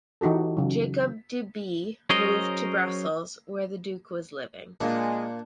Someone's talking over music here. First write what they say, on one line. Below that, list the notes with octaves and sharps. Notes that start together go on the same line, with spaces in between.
Jacob de Bie moved to Brussels where the Duke was living.
E3 D#4 F#4 G4 A4
C#3 F#3
F#3 C#4 G#4 A#4 C5 D#5
A#2 G#3 A#3 D4 F4